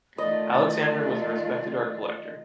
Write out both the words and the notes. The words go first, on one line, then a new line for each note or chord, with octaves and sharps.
Alexander was a respected art collector.
D#3 A3 F4 D5 D#5